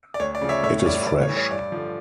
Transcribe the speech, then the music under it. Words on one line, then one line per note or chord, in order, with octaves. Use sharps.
It is fresh.
D5
D2 C#5
D5
C#3 F3
C#5 E5
A2 C#5 E5
C#5
G3 D5
A2 D5
C#5
E3 G3
C#5
G2 D5
D3 F3